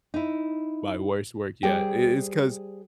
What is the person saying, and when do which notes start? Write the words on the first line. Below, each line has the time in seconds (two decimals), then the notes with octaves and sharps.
My worst work yet, i it's 'cause
0.14 D#4 E4
1.63 G3 G#4 C5 G5